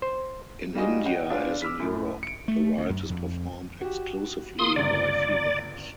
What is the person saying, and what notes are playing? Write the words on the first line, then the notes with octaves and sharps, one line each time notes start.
In India, as in Europe, the rite is performed exclusively by females.
C5
G3 D#4 F4 F#4 G#4 D#5
C#5 D#5 F#5 G5
D4 F4 G#4 B4 C#5 D5
D6 E6 F6 B6
F#2 A2
C#7 D7
A3
D2
F#2
F2
F#4 G4
A#3 F4 C6 D#6
G1 C#2 D5